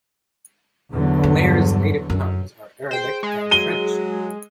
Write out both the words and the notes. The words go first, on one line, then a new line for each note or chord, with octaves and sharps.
Comair's native tongues are Arabic and French.
E2 D3 F#3
G2
F#2
G#4 C5 G5
G#3
F#3 D#7 G7